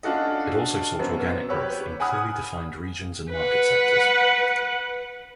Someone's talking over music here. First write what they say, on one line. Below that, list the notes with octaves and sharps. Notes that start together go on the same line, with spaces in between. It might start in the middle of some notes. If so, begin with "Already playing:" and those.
It also sought organic growth in clearly defined regions and market sectors.
C#4 D4 F4 F#4 A4 D#5
F#2 B3 C4
G4 B4 C#5 E6
F#5 G#5 B5 D#6 F6 F#6
B4 F#5